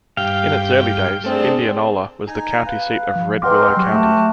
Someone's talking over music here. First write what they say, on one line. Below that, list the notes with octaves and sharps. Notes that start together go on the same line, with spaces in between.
In its early days, Indianola was the county seat of Red Willow County.
G2 F5 G5
A3 C4 D4 G#4
D#4 G#5 A#5
B4 F5
F3
G#3 C4 A#4 B4 F#5 C6 D6
F#3 F#4 G4
A3 E5 A5